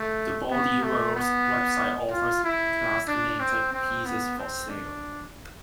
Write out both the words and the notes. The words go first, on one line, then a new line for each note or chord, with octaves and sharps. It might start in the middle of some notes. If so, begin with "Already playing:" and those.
The Body Worlds website offers plastinated pieces for sale.
Already playing: A3
B3
A3
B3
F4
E4
D4
C4
C4
B3
C4
D4